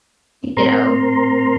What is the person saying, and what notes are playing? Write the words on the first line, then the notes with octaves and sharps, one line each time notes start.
you know,
A2 C4 A#4 A#5 C6